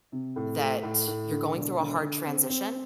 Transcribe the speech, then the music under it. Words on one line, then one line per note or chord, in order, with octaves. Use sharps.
that you're going through a hard transition
C3
A2
A3
A2
A2
D3
E1
D3
D3
C4
C4